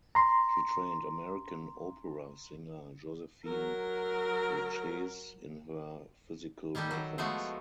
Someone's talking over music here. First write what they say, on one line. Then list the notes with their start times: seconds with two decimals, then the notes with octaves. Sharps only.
She trained American opera singer Josephine Lucchese in her physical methods.
0.15 A#5 C6
3.45 F#3 A#4
6.75 D#3 G3 G4 A4 D#5
6.91 F#3
7.18 F3 G#3 A3 B3 F#4